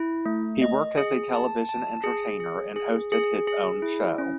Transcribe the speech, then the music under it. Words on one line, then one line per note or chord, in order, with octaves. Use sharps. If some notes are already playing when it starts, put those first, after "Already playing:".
He worked as a television entertainer and hosted his own show.
Already playing: E4
A3
D#5
G#4
A5
A5
G#4
G#4
G#4
G#4
G#4
E4
C#4